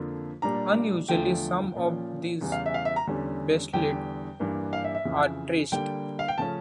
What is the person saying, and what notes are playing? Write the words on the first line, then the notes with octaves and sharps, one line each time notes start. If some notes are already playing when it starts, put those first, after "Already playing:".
Unusually some of these Bastles are terraced.
Already playing: F2 D3 F3 A#3
A#2 G3 D4 A#5
E2 D3 F3 A3 G5
A#2 F3 C#4
E2 C#3 E3 G3
F5
E5
F5
E5
A#5
E2 D3 G3 C#4
E2 D3 G3 G5
G2 E3 A#3 D4
F5
E5
E5
F2 C#3 E3
D3 G3 A#3 G5
F5
G5
C#3 F3 A3 C#4 A5